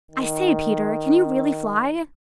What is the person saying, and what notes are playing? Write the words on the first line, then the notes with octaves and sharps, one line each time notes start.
"I say, Peter, can you really fly?"
D#3